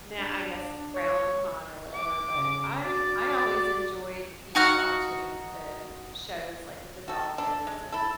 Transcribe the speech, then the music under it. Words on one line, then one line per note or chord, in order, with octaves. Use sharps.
now, I guess frowned upon or whatever, but I I always enjoyed, you know, watching the shows, like, with the dolphins and
D4
C#5
D6
C#3
F#4 D5
D#4 F#4 F#5 F6
F#4 A4
D4 A4
G#3
E4 A4